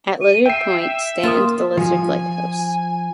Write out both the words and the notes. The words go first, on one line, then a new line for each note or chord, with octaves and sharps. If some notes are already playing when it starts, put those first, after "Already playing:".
At Lizard Point stands the Lizard Lighthouse.
D#7
E5 G5 C7
A#3 F4 A#4 D#6
F3 G#5